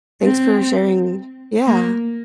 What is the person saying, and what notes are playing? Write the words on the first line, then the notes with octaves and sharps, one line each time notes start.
thanks for sharing Yeah,
C4
A#3